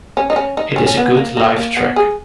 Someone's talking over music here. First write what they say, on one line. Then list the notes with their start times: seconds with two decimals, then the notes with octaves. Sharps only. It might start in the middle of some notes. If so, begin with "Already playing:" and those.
It is a good live track.
0.17 C#4
0.30 D#4
0.36 C#4
0.57 D#4
0.76 C#4
0.86 C#4
0.97 B3
1.17 A#3
1.37 A#3
1.56 A#3
1.77 B3
1.96 G#4